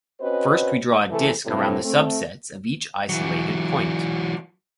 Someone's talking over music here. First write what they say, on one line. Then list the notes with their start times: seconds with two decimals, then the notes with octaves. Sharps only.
First, we draw a disc around the subsets of each isolated point.
0.21 C4 C#4 F#4 B4 C5 D#5
1.10 C3 E3 A3 A4
1.46 F#2 A2 C3
1.83 A3 C4
3.09 E3 F#3